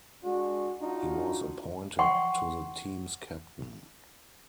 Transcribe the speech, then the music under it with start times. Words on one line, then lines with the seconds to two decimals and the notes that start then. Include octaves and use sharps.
He was appointed the team's captain.
0.24 G#3 D4 F#4
0.81 D4 D#4 F4 F#4
1.99 F#5 G5 C6 C#6